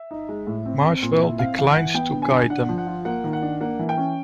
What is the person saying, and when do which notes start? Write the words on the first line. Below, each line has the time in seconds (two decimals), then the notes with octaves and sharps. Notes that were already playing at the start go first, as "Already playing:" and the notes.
Marswell declines to guide them.
Already playing: E5
0.11 D#4
0.29 G#3
0.47 A2
0.66 C4
0.84 C4
1.03 A#2
1.21 E4
1.39 C4 F5
1.58 E3 F5
1.67 F#5
1.77 E3
1.94 B3 G5
2.13 D3
2.22 G#5
2.31 D3
2.50 D4 F#5
2.69 F3
2.78 F#5
2.87 F4
3.05 A#3 F#5
3.24 D#3
3.33 F#5
3.42 D4
3.60 A#3 F#5
3.79 E3
3.89 G5
3.97 C#4